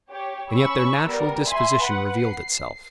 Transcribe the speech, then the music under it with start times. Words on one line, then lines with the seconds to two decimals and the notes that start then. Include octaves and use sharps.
And yet their natural disposition revealed itself.
0.11 G4 C#5
0.51 C#4 B5 C#6 E6
1.04 G3 B3 A#4
1.47 E5 G#5 B5 C6
1.81 B4 F#5
2.20 C7